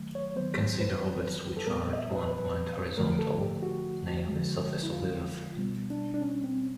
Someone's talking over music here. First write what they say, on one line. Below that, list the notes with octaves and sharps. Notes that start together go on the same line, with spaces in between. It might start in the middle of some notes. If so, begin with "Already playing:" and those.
Consider orbits which are at one point horizontal, near the surface of the Earth.
Already playing: D#3 F#3 A3
C#5
D#3 F#3 B3 C5
C5
B4
A4
A#2 G3 B3 A#4
D#5
E5
B4
B4
D3 F3 A3 A#4
A4
G4
F#4
D3 F3 G#3
E4
F4
B2 G3 B3
D4
D4
C#4
C4